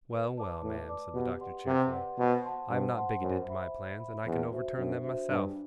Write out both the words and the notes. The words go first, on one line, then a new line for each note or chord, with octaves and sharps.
'Well, well, ma'am,' said the Doctor cheerfully, 'I am not bigoted to my plans, and I can overturn them myself.
B4
D5 A5 D6
A2 B4
D5 A5 D6
B2 G4
B4 D5 F#5 C6
C3 G4
B4 D5 F#5 C6
B2 C5
F#5 A5 C6
G2 C5
F#5 A5 C6
F#2 C5
E5 B5
C5
E5 B5
E2 D4
F#4 C5 E5
F#2 D4
F#4 C5 E5
G2 D4